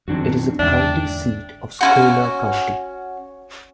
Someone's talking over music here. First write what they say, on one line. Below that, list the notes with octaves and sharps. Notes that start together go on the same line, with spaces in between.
It is the county seat of Schuyler County.
F#2 D#3 F3 C4 D4 F#4
E2 G#2 D3 D4 E5 G5
C#4 E4 F#4